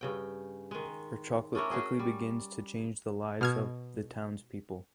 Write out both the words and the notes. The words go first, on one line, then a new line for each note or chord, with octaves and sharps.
Her chocolate quickly begins to change the lives of the townspeople.
G2 C#3 G5
D#3 G#3
C#4 D4 E4 A#4
C#4 F#4 G#4 D#5
G3
B2 F6 G#6